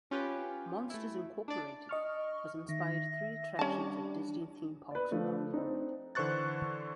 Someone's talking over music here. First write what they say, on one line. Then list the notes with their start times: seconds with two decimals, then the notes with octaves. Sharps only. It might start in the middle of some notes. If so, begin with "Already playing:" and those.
"Monsters, Incorporated" has inspired three attractions at Disney theme parks around the world.
0.11 C#4 F4 G4 B4
0.90 A3 E4
1.48 D4 D5
1.89 D#5 C#6 F6
2.69 D#3 E5 A#6
3.59 G3 C#4 D4 A5
4.91 B4 D5
5.11 F3 A3 D4
5.53 C4 D4 D#4
6.15 D3 E3 C5 C#6 F#6 A6